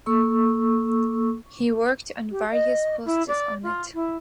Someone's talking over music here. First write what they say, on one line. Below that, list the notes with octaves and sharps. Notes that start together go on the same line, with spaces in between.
He worked on various posts on it.
A#3 A4 C#6 E6
G4
D#5
E4
D5
F4
E4